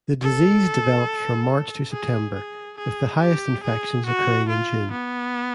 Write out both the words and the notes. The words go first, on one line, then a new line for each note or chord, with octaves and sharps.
The disease develops from March to September, with the highest infections occurring in June.
A4
G#4
G#4
G#4
G4
G#4
F#4
F4
B3